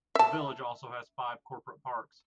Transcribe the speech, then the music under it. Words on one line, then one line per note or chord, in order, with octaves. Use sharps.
The village also has five corporate parks.
E5 A5